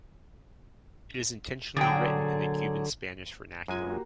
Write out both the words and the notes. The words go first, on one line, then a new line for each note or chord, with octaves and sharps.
It is intentionally written in the Cuban Spanish vernacular.
A#2 D3 F#3 G#4 D5 G5
F#2 G#3 F4 G#5
A#3 F#4 G4